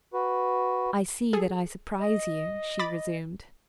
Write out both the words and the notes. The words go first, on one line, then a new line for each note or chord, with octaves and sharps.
"I see that I surprise you," she resumed.
F#4 B4
G#4 A4
D#5
B5 D6 A6